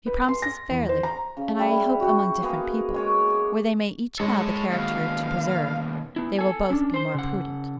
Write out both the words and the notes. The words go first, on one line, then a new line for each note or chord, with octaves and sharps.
He promises fairly; and I hope among different people, where they may each have a character to preserve, they will both be more prudent.
B4
C6
A#6
E2
C5
A#5
C#3
G3 E4 E5 F#5
F#4 G4 F#5
A#3 B3 G#4
G#3 C#5 D6
G#3 A4 C#5
D#2 B2 F5
B3 E4
A4 G#5
C#4 D4
C5 C6
C#3 F#5